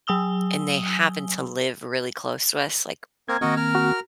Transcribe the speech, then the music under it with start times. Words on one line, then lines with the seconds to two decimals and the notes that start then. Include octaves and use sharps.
and they happen to live really close to us, like
0.07 F#3 G#5 D#6 E6 G7
3.29 A#3 C4 A#4 G#6
3.41 D#3 A#3 C4 F#4 A#4 D#5
3.57 A#4 F6
3.75 F#4